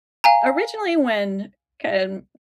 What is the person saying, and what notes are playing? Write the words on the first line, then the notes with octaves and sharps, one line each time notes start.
originally when, kind of,
F5 G#5 A#5